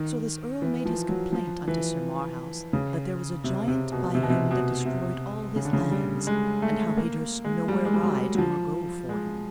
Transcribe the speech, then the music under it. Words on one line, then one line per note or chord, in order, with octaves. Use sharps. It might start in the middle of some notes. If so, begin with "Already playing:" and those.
So this earl made his complaint unto Sir Marhaus, that there was a giant by him that destroyed all his lands, and how he durst nowhere ride nor go for him.
Already playing: D#3
E3
F3
F#3
F3
E3
C#3
C3
C3
B2
C3
B2
C3
B2
C3
C#3
D3
C#3
G3
G#3
A3
A#3
G#3
G3
G#3
G3
F#3
F#3
F3
G#3